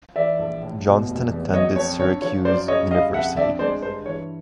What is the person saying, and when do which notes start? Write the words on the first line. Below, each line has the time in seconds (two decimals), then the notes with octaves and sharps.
Johnston attended Syracuse University.
0.16 E3 D5 E5
0.39 A#1
0.62 A2
0.85 B2
1.08 F1
1.31 E2
1.53 F#3 C#5 D#5
1.76 F2 C#5
1.99 D3 C#5
2.22 F3 C#5
2.45 F#2 C5 D5
2.68 C#3 C#5 D#5
2.91 G3 D#5 F5
3.14 F2 E5 F#5
3.36 D3 D5 E5
3.59 G#3 C5 D5
3.82 G2 C5
4.06 E3 C#5